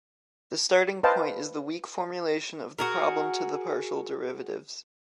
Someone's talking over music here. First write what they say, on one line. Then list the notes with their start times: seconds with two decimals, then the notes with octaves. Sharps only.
The starting point is the weak formulation of the problem to the partial derivatives.
1.03 B4 C5 D#5 F5 G5 A5
2.79 F#4 G#4 A#4